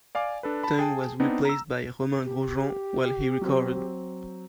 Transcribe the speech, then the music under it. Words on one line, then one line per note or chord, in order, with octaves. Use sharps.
Tung was replaced by Romain Grosjean while he recovered.
D5 F5 G#5 D6
D4 A4 B4
A5 B5
G#4 G5 A5
B3 C4 D4 D#4
A#5 E6
G4
F#3 C4